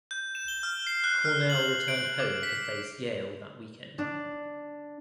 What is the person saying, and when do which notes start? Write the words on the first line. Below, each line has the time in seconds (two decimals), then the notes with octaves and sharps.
Cornell returned home to face Yale that weekend.
0.11 G6
0.35 E7
0.48 G7
0.63 F6
0.87 C7
1.04 F#6
1.25 F6
1.50 F#7
1.88 D7
2.20 D6
2.43 B6
3.99 D4